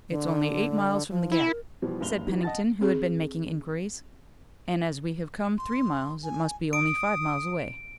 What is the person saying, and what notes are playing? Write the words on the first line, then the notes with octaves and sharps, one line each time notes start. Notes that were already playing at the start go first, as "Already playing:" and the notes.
"It's only eight miles from the gap," said Pennington, who had been making inquiries, "and as we have come three miles it must be only five miles away."
D3
F3
E4
A#4
B2 E3 F3 G3
F#1 G2 F7 G7
E3 G3 D#4
D#5 F#5 A5 A6
C4 G#4
C6
G#5
D#6 D7